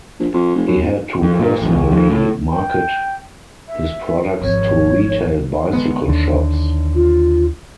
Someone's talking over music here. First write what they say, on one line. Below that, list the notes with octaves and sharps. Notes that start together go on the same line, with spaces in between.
He had to personally market his products to retail bicycle shops.
A#1
F2
F1
F#2
D#1
F2
A#2
A1
C#2
F2
A2
G5
E5
G#1 F2 C#5
D3 G#3 B3
D#2 D3
F4